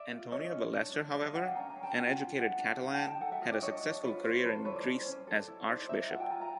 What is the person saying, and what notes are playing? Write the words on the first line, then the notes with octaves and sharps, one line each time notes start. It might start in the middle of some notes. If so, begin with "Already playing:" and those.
Antonio Ballester, however, an educated Catalan, had a successful career in Greece as archbishop.
Already playing: D5 E5
F4
C#4 C#5 D#5
C#4
D4
D4
D4 D5 E5
D#5 F5
D4 E5 F#5
F5 G5
C#4 G#5 A#5
G#5 A#5
C#4
G5 A5
F4 F#5 G#5
F4
D4 E5 F#5
D4
D#4 F#5 G#5
G5 A5
D#4
G5 A5
A4 F#5 G#5
E5 F#5
F4 D#5 F5
D5 E5
D4 C#5 D#5
D4
F4 B4 C#5
F4 C5
A4 B4
C5
E4 B4 C#5
C5 D5
C#4
C#4
A4
E4
D#4 C5 D5
D#4 D5 E5
F4 F#5 G#5
G5 A5
F4 G#5 A#5
G#5 A#5